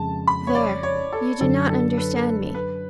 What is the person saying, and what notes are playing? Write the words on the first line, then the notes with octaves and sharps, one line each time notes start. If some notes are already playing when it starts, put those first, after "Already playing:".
There--you do not understand me.
Already playing: F2 C#3 G#3 A5
B5
C#5
D5
C#5
A4
F#2 D3 F#3 A4
A4
B4
B4